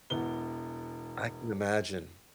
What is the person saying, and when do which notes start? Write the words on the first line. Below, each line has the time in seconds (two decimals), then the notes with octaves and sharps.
I can imagine.
0.10 E1 E3 B3 G7